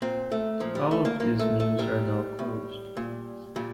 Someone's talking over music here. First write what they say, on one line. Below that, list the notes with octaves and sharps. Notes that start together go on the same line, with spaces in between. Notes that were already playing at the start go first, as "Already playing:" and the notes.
All of these mills are now closed.
A#2 C4
A3
A#2 F3
G3
A3
A#3
A#2 A#3
A3
A3
A#2 G3
A2
A#2
A#2 G3